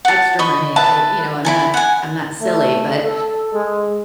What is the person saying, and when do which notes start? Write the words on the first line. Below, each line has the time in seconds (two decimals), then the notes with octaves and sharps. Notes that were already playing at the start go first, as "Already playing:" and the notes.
extra money, I you know, I'm not I'm not silly, but,
0.05 F#5 A5
0.39 D#5 B5 C#6
0.76 B4 E5 A5
1.45 E4 A4 G#5
1.74 F#5 G#5
2.40 A3
3.04 A4
3.54 G#3